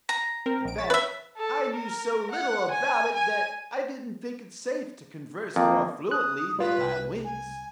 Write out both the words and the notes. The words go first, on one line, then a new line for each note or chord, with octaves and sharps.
In fact, I knew so little about it that I didn't think it safe to converse more fluently than by winks.
A#5
C4 A#4
A#1 D7
C#5 A6 B6
B4 E5
A4
A#4
F#5
G#5
G#5
F2 A#3
D#6 F#6
G3 F4 B4
C2
G#5